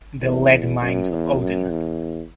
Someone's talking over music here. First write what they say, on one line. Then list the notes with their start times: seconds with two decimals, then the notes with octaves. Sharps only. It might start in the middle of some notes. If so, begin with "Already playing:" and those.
The lead mines of Odin.
0.22 E2
0.81 F#2
1.10 E2
1.40 F#2
1.69 E2